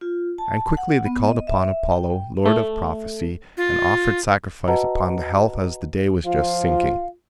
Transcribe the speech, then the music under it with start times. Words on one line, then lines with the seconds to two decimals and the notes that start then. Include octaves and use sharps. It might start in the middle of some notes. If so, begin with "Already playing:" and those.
And quickly they called upon Apollo, lord of prophecy, and offered sacrifice upon the health as the day was just sinking.
0.01 F4
0.38 A5
0.77 F#5
1.05 B3
1.25 D#5
1.47 E5
1.92 G5
2.45 A3
3.57 F4
4.68 F#4 B4 D#5 F#5 A5 A#5
6.25 F3 F4 F5